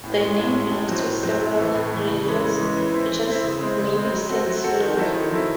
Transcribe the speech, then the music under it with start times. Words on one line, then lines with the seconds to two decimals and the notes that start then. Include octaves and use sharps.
The name belongs to several religious figures known as Saint Cyril.
0.04 A2
0.21 G#3 C#4
0.38 A2
0.55 G#3 C#4
0.72 A2
0.89 F#3 C4
1.06 A2
1.23 F#3 C4
1.40 A2
1.57 E3 A3
1.75 A2
1.91 E3 A3
2.08 C#3
2.25 E3 G#3 C#4
2.42 C#3
2.59 E3 G#3 C#4
2.77 E3
2.94 C4 E4
3.10 E3
3.27 C4 E4
3.44 C#3
3.61 G#3 C4
3.78 C#3
3.95 G#3 C4
4.12 F#3
4.29 C4 F#4 A4
4.46 F#3
4.64 C4 F#4 A4
4.81 D#3
4.97 F#3 C4 E4 A4
5.14 D#3
5.31 F#3 C4 E4 A4